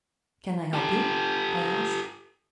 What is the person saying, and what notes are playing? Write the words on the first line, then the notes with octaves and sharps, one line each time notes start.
"Can I help you?" I asked.
G4 A4